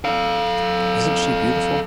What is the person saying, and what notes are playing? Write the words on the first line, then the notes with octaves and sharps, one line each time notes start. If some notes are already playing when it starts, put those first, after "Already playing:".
Isn't she beautiful?
A4 F5